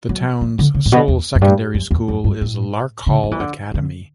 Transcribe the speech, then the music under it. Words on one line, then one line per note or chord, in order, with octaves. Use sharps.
The town's sole secondary school is Larkhall Academy.
F#3
E3
D3
C#3
A2
B2
E2
F#2
G2
F#2
E2
F#2
G2
A2
C#3
F#3
E3
D3
D3